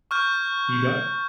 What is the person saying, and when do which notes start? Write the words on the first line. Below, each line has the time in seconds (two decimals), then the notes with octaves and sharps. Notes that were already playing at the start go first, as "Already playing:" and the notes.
You don't
0.11 C#6 F6 G6